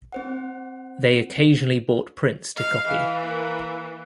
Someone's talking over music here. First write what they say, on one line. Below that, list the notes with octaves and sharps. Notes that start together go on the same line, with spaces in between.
They occasionally bought prints to copy.
C4 C5 F#5
D#5 F5
E3 F5
A#3